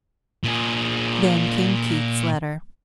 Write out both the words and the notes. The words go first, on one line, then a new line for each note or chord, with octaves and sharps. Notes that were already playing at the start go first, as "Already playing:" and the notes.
Then came Keith's letter.
A#2 G#4